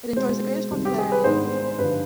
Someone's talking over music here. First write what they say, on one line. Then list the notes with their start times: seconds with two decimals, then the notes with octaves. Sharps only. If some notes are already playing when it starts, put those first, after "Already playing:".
It enjoys the greatest popularity in India.
0.16 B2 G#3 C4 C5
0.71 C2 C3 D#3 G3
0.85 G4
0.98 G#4
1.12 B4
1.24 G#2 D#3 B3 D4 C5
1.78 G2 D3 F3 B4